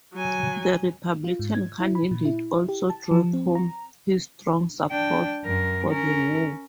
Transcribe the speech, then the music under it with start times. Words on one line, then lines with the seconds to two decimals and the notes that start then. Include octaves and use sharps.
The Republican candidate also drove home his strong support for the war.
0.14 F#3 G#5
1.24 F4
1.40 G#2
1.54 G#6
1.80 E4
1.95 B5
2.11 A#2
2.25 E4
2.69 G4
2.90 A5
3.11 F3
3.33 C4
3.55 A#5
4.91 D4 G5
5.44 F#2 A#4
5.88 C#4 A#4